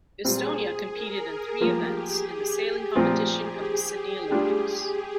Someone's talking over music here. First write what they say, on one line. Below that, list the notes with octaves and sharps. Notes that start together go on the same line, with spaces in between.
Estonia competed in three events in the Sailing competition of the Sydney Olympics.
A#2 G3 C4 F4 G#4
A#4
G#4
F3 A#3 F4 G4
G#4
G4
A#2 F3 C4 F4 G4
G#4
G3 D4 F4